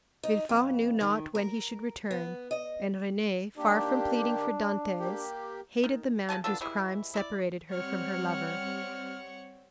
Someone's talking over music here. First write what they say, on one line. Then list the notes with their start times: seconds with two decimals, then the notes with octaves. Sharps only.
Villefort knew not when he should return, and Renee, far from pleading for Dantes, hated the man whose crime separated her from her lover.
0.23 D#4
0.49 F2
1.01 D#3
1.35 A#4
2.11 B3
2.51 D#5
3.58 D#3 A#3 D4 G4
4.99 A#3 G4
5.84 D#3
6.29 C#3 A#4 G#5 A5
6.44 B3 D4 F4 A4
6.61 E3 G3 G#3 E4
7.14 E4 A4 D5
7.72 G3 C4 C#5 F#5 F6